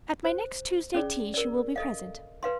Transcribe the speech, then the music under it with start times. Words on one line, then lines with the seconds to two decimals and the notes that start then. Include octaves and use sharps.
At my next Tuesday tea she will be present.
0.25 C5
0.94 C#4 G#4 D5
1.34 A#4 D5
1.76 A4 D#5 F5
2.43 B4 F5 C6